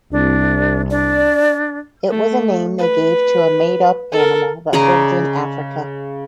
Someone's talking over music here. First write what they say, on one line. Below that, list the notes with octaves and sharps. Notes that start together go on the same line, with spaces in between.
It was a name they gave to a made-up animal that lived in Africa.
C2 D4
D4 D5
A3
B4
A4 A#4
C#3 D5 D#5 A#5